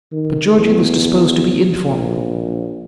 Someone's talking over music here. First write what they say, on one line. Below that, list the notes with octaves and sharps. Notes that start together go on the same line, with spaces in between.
But Georgie was disposed to be informal.
D#3
E2
A#1